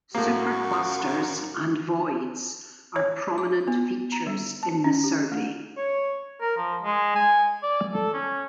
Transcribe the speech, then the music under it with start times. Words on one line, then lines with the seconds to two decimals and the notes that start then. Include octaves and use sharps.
Superclusters and voids are prominent features in the survey.
0.15 F#2 A2 A#3 F#4
2.96 C#5
3.38 D6
3.67 B3
4.12 A#5
4.27 G3
4.63 A5
4.84 C#4
5.04 G4
5.32 A3
5.77 C#5
6.41 A#4
6.57 F3
6.83 G#3
7.15 G#5
7.63 D5
7.93 A4
8.13 C#4